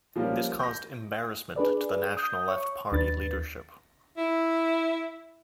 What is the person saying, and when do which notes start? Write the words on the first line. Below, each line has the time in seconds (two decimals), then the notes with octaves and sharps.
This caused embarrassment to the national Left Party leadership.
0.16 F3 G3 A#3 C#4 A#4
0.59 G6 A#6
1.56 D4 G#4 B4 D5
2.17 D#6 G6
2.48 C#5 C#6
2.92 D#2 D4 B4 A6
4.18 E4